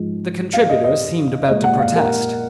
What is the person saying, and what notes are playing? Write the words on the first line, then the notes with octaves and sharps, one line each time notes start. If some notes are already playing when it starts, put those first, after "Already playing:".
The contributor seemed about to protest.
Already playing: G#2 F3 G#3
F5
D#5
D#5
A#2 G#3 D#5
F#5
F5
A#4